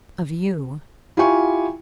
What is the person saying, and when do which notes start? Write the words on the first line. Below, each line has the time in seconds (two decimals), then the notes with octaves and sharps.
"Of you?"
1.17 E4 F4 G4 G5 G#5 C#6